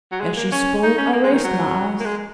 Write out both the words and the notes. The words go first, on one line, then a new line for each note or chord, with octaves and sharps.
As she spoke I raised my eyes.
F#3
G#3
A#3
C#4
D#4
C#4
A#3
G#3
D#3
F#3
A#3
G#3